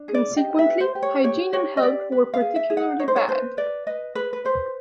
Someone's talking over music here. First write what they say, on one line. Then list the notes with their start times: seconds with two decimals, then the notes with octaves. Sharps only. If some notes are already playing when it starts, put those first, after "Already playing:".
Consequently, hygiene and health were particularly bad.
Already playing: D4
0.08 G#4
0.14 D5
0.37 G4 D#5
0.59 E5
0.66 B4
0.80 C5
0.95 G4
1.03 C#5
1.24 G4 C#5
1.53 G4 C#5
1.77 D#5
1.82 G4 D5
2.12 B4
2.34 F5
2.41 G#4
2.56 E5
2.70 G#4
2.77 F#5
2.99 D#4 C#5
3.08 C5
3.16 C#5
3.28 B4 C5
3.57 B4 D5
3.87 B4 D#5
4.15 G#4 B4
4.33 B4
4.45 B4 C5